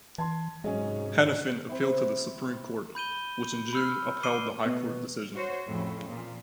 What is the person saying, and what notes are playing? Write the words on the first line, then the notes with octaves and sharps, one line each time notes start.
Hanafin appealed to the Supreme Court, which in June upheld the High Court decision.
E3 A5 C6 G#6
G#2 C3 F#3 G#3 C#4 G#4 D#5
C4 E4
B5 G6 D#7 G7
B5 E6 F6
D6 C7 D7 D#7 G7
B2
F#4 C5 C#5
F2 A2 C#3 F3
A#2 F3